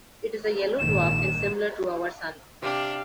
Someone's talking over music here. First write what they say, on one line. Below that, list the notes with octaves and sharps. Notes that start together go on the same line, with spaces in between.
It is a yellow dwarf and similar to our Sun.
A#1 G#2 D#3 E7
C3 D4 G4 F5